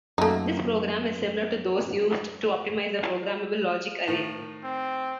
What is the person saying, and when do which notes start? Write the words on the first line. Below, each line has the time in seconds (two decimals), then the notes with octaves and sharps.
This program is similar to those used to optimize a programmable logic array.
0.18 F#2 A3 A#3 D#4
4.07 A2 D#3
4.64 C4